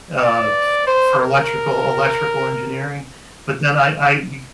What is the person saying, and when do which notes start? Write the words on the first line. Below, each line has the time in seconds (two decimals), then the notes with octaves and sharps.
uh, f for electrical electrical engineering, but then I I be
0.22 D5
0.87 C5
1.19 A#4